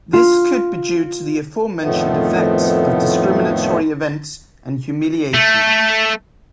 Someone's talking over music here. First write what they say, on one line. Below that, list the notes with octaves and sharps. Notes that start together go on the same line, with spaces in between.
This could be due to the aforementioned effects of discriminatory events and humiliation.
F4
F2 A2 D#3 F3 A3 B3
A3